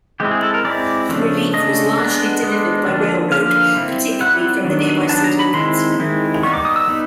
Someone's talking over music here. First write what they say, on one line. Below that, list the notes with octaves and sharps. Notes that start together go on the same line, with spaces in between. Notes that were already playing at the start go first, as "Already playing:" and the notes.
Relief was largely delivered by railroad, particularly from the nearby city of Gadsden.
G#3 C4 E4 G4
G#4
A4
A#4
G#3 C4 E4 D5
C#3 F3 A3 D4
C#3 F3 A3 D4 D#5
G#3 B3 D4
G#3 B3 D4
D3 F3 A#3 D4
D3 F3 A#3 D4 F5
G3 C4 E4
G3 C4 E4 F#5
D#3 F#3 B3 D4
D#3 F#3 B3 D4 A5
A#5
B5
D#3 G#3 C4 E4 C6
D#3 G#3 C4 E4
G3 B3 D#4 C#6
D6
D#6
E6
G3 B3 D#4